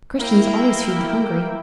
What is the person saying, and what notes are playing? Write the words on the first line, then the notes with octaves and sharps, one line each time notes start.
Christians always feed the hungry.
A#3 E4 A#4 G5